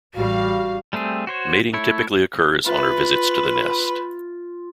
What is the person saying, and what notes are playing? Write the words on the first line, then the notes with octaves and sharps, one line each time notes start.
Mating typically occurs on her visits to the nest.
A1 G3 F#4 F5
G3 A3 C4 G#4
F#4 C5 C#5
A3 E4 C#5
F4 B4